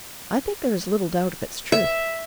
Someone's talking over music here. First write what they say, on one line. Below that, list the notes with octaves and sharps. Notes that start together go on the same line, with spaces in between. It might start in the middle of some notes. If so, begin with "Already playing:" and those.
I think there is little doubt of its truth.
E5